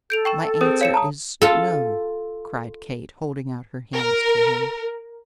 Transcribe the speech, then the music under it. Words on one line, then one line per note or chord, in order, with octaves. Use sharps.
"My answer is 'no,'" cried Kate, holding out her hands to him.
A4 G6 D7 F7
G5 C#6 E7
C4 G#4 A#4 D#6
C#5 F5 C#7 E7
A5 A#5 D#6
F4 A4
A#4